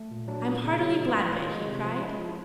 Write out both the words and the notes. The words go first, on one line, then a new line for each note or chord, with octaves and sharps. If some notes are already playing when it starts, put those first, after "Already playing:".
"I am heartily glad of it," he cried.
Already playing: A3
A#2
F#3 D4
A#2
C#3
F#3
A2 D#4
F4
A2 E4
D#3 F4
G#3
C3
F3
G#3 E4
F3
E4